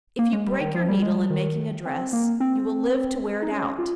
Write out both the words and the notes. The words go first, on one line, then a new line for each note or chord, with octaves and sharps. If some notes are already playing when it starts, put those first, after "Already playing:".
If you break your needle in making a dress, you will live to wear it out.
A#3
G#3
G3
D#3
F3
G3
G#3
G3
D#3
C4
A#3
C4
D#4
C#4
F4